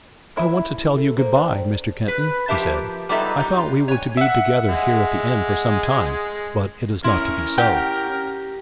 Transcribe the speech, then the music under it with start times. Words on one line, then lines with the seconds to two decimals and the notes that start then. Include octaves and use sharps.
"I want to tell you good-bye, Mr. Kenton," he said, "I thought we were to be together here at the inn for some time, but it is not to be so."
0.36 A#3 E4 E5
0.95 A4
1.18 A#3 C5
1.35 D#3 D4
2.08 B4
2.48 F3 G4 A#4 E5 A5
3.09 G3 B3 D#4 F4 A4 E5
3.37 G3 D#4
3.58 F4
3.88 C#5 G#5
4.17 E5 F#5
4.69 G#3
7.04 C#4 E4 A#4 C6
7.58 G4 F#5